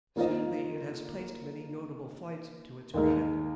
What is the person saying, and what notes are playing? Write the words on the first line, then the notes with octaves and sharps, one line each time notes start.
Certainly it has placed many notable flights to its credit.
D#3 A#3 F4 C5 D#5
D#2 D#3 G#3 D#4 A#4